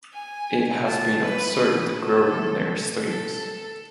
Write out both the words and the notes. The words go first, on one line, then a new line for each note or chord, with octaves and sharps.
It has been observed growing near streams.
G#5
A5
B4
A4
A4
A4